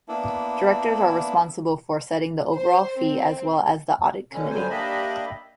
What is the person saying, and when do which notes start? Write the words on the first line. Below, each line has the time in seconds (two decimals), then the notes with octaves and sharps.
Directors are responsible for setting the overall fee as well as the audit committee.
0.08 A#3 B3 D4 E4
2.55 C5
3.00 C4
4.32 B2 D3 C#4
4.51 G2 D3 F#3 G3 C5 G#5
4.70 A#3 D4 G4 D#5 E5 B5